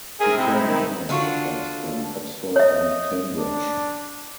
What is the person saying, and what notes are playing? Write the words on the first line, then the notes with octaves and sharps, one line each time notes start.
He turned down offers from Oxford and Cambridge.
C4 G#4 A#4 E5
C3 C4 D#4 E4
D#3
D3 D4 F4 F#4
C#5 D#5 E5
D4